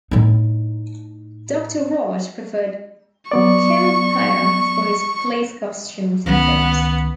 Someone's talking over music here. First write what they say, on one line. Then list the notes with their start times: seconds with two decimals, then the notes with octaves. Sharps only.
Doctor Raj preferred Kempaiah for his police costumes in films.
0.11 A2 D#4
3.31 F#3 B3 D5 C#6
6.26 C#2 D#3 B3